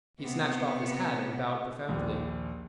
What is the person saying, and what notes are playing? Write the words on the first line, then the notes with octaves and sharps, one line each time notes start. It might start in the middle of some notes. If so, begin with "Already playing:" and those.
He snatched off his hat and bowed profoundly.
C3 B3
A#1 D#2